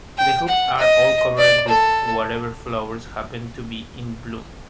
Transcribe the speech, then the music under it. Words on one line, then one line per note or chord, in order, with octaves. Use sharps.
The hoops are all covered with whatever flowers happen to be in bloom.
G5
F#5
D#5
D5
A4